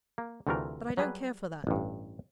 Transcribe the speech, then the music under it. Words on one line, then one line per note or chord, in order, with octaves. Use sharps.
But I don't care for that.
A#3
D2 C3 E3 A3 F4 A#4
F#3 G3 G#4 B4
A1 G2